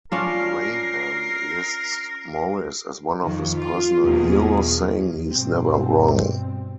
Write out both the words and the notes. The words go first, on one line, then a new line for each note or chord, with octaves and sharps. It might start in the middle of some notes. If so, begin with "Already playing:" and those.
Graham lists Morris as one of his personal heroes, saying he's never wrong.
C#4 D4 F4 A#4 C7
F2 D#3
F4
E2 B2 F3 A#3 G#4
G2 B2 C4